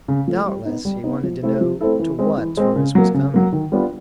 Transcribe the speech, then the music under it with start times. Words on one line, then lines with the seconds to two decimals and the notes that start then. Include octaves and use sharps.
Doubtless he wanted to know to what Torres was coming.
0.08 C#3
0.28 F3 A3
0.46 G3
0.65 B3 D#4
0.85 G3
1.04 B3 D#4
1.23 F3
1.42 A3 C4 E4 A4
1.61 F3
1.81 A3 C4 E4 A4
1.99 E3
2.19 G#3 C4
2.38 E3
2.57 G#3 C4
2.76 C#3
2.95 F#3 A#3
3.14 C#3
3.34 F#3 A#3
3.52 D#3
3.72 G3 B3 D4 F4